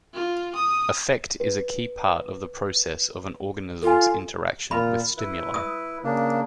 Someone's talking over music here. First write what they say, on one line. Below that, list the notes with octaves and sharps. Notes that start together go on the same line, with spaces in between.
Affect is a key part of the process of an organism's interaction with stimuli.
F4
D#6
B4
F4 A4 G#5
A#2 F4 B5
E4 B4
D#6
C#3 A#3 D4